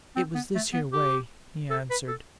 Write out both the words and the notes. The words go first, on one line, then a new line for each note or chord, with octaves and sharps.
"It was this here way," he answered.
C4
B3
A3
B3
G4
A4
B4
A4